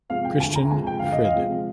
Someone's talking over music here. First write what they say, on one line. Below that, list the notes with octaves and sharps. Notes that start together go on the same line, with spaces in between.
Christian Frid.
C3 F3 G#3 F5
G5
D2 G#5
A#5
C3 F3 G#3 G#5
G5
D2 F5
D#5
F5
C3 F3 G#3